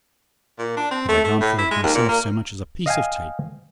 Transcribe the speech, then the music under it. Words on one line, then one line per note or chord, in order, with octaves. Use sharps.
And I can't afford myself so much as a piece of tape!
A#2
D4
C4
A3
A3
A2
E4
G#3
D#2
A#2
A#3
D#5 F5 G5 G#5